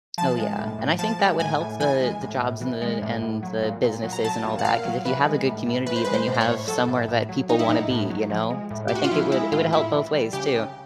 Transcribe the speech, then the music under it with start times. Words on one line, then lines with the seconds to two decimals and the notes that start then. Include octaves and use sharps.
Oh, yeah, and I think that would help the the jobs and the and the businesses and all that 'cause if you have a good community, then you have somewhere that people wanna be, you know, I think it would it would help both ways too.
0.18 F3 A5
0.38 G#3
0.59 A2
0.79 A2
0.99 F3 A5
1.19 G#3
1.40 A2 G#5
1.60 A2
1.80 E3 G#5
2.01 G#3
2.21 A2
2.41 A2
2.61 E3
2.82 G#3
3.02 A2
3.22 A2
3.43 F#3
3.63 A#2
3.84 A#2
4.04 F#3
4.13 A#5
4.24 F#3 A5
4.45 A#2
4.59 F#5
4.65 A#2 F5
4.85 F#3
5.05 E3 B4
5.25 G#3
5.46 A2
5.66 A2
5.86 E3 B4
5.96 C5
6.05 G#3 B4
6.14 C5
6.27 A2
6.34 C5
6.41 C#5
6.47 A2
6.68 F#3 A4
6.88 A2
7.08 A2
7.29 F#3
7.49 F#3 D#4
7.59 E4
7.69 A2 D#4
7.90 A2
8.10 F#3
8.30 F3
8.50 G#3
8.71 A2
8.88 G4
8.91 A2 F#4
9.04 F4
9.11 F3 E4
9.32 G#3 E4
9.52 A2 F4
9.72 A2 E4
9.93 E3
10.13 G3
10.33 C#3 G4
10.54 C#3